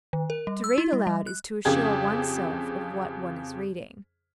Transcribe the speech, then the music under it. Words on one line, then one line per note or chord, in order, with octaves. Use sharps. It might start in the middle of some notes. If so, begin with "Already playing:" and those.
To read aloud is to assure one's self of what one is reading.
D#3
A#4
G3
E6
E4
G3
G3
F#6
F2 C#3 G4 G#4 G#6